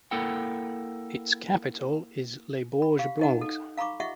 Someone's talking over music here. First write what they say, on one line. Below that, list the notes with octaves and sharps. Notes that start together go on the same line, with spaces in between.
Its capital is Les Borges Blanques.
A#3 E4 A4 A#4 F#5 G5
B5
G4 F5
D#4 D#5 F#5
A4
F5 A#5 B5 C#6 D6
F4 G4 D#5 E5 F#5 C#6